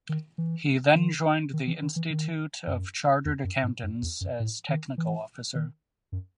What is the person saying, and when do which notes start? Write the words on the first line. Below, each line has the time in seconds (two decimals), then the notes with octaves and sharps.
He then joined the Institute of Chartered Accountants as Technical Officer.
0.09 D#3
0.38 E3
0.96 D#3
1.53 D#3
1.67 E3
1.82 D#3
1.96 E3
2.10 D#3
2.67 F#2
3.25 E2
3.44 F#2
3.63 G#2
3.83 F#2
4.02 E2
4.21 F#2
4.40 A2
4.69 D#3
4.98 E3
5.55 D#3
6.12 F#2